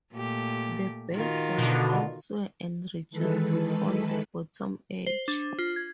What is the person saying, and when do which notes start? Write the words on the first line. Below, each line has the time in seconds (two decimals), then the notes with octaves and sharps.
The belt was elsewhere and reduced to on the bottom edge.
0.12 A#2 A3 G4
1.14 D#3 F4 F#4
1.58 B2 D3
3.10 D#3 E3 G#3 A4 B4
5.06 C5
5.28 D4
5.59 F4
5.76 G#6